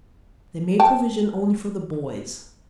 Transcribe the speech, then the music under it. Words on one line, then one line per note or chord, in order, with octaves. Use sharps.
They made provision only for the boys.
G5 A5